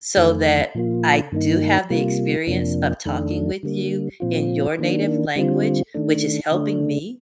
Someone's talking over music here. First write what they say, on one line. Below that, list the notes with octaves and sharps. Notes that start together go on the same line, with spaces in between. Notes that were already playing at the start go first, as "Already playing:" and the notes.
so that I do have the experience of talking with you in your native language which is helping me"
F2 D#3 A3
A#2 F3 A#3 F4
G2 D#3 A#3 D#4
C3 G3 A#3 F4
F2 C3 F3 A#3 D4
F2 D#3 A3 D4
D3 G3 A#3
A#2 F3 C4 F4
D#3 A#3 D4
D3 G3 C4 F4
D#3 A3 D4
D3 A3 D4